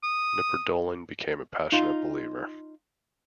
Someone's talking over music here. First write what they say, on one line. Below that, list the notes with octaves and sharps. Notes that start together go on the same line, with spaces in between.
Knipperdolling became a passionate believer.
D#6
D#4 F4